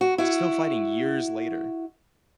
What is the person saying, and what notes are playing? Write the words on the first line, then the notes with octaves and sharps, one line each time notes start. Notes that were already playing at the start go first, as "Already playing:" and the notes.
still fighting years later.
F#4
E4 F#4